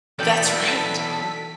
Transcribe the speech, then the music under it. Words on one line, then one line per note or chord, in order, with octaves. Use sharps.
That's right.
E3 F#3 B3 A4 D5 G5 B6